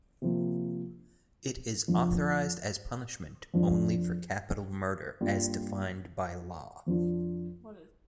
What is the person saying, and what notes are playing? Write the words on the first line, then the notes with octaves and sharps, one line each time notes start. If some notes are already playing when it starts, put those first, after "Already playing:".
It is authorized as punishment only for capital murder, as defined by law.
C3 F3 A#3
F2 F3 D4
F2 F3 D4 F4
G2 G3 A#3 D4 F4
F2 F3 D4 F4